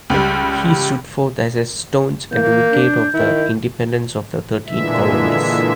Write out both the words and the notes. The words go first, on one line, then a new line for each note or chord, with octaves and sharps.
He stood forth as a staunch advocate of the independence of the Thirteen Colonies.
C#2 G3
E3 A#3 G6
D4
D#3 E4
A#2 D3 E3 G#3 E5